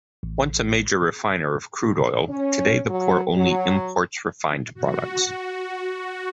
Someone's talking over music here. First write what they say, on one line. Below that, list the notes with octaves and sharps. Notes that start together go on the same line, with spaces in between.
Once a major refiner of crude oil, today the port only imports refined products.
A1
C#4
F#3
F#3
F#4
F#4